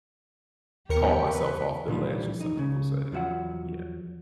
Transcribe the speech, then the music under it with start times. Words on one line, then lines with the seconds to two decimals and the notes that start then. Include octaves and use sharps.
call myself off the ledge as some people say. Yeah.
0.89 D#2 B3 G4 A#4 C#7
1.34 E2 B4
1.88 A#2 D3 E3 F3 G3
2.41 D#4
2.56 C#2 A2 C#3
3.12 E2 F3 F#3 E5 F#5